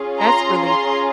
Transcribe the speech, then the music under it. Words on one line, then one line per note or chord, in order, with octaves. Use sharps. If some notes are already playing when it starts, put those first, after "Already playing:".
That's really
Already playing: C#4 F4 G#4
A#5 C6
A#5 C6